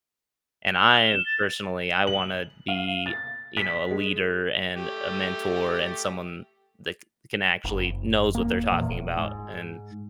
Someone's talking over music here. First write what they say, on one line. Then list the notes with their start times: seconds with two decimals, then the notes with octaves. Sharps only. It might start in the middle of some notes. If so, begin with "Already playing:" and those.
and, I personally, I wanna be, you know, a leader, and a mentor, and someone that c can actually knows what they're talking about and
0.75 F6
0.92 G7
1.09 E7
1.26 A6
2.07 F#7
2.68 F5
3.06 A6
3.57 B6
3.91 G#3
4.77 A3 G4
7.64 F#1
8.35 E1 A#3
8.72 E2 A#2
8.88 D#1
9.17 G#2